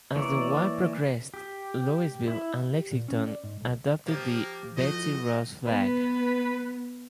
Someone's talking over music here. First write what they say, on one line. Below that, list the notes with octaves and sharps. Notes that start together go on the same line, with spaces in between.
As the war progressed, Louisville and Lexington adopted the "Betsy Ross flag".
E3 A#3 C#5 D5
G4
E4
G4
A#2
C#4
D5
G#2
B1
F3 A#3 G4
F3 A3 E4 F#4 D#5
B3 B4